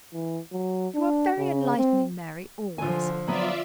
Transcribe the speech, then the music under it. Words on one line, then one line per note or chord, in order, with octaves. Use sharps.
You are very enlightening, Mary, always.
E3
F#3
D4
C#3
C4
D3 F3 F4 G#5
F#3 B3 F4 D5 E5